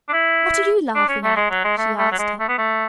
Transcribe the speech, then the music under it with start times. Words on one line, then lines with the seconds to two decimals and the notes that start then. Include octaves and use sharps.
"What are you laughing at?" she asked her.
0.08 D4
0.13 E4
0.95 D4
1.09 C#4
1.23 A3
1.36 G#3
1.51 F#3
1.64 G#3
1.78 A3
1.98 A3
2.12 F#3
2.18 G#3
2.39 A3
2.48 B3
2.58 A3